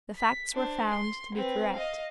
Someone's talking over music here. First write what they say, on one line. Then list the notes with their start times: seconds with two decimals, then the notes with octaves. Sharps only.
The facts were found to be correct.
0.18 B6
0.55 D4 C5
0.90 C6 C7
1.34 C4 B4
1.74 D#5 F5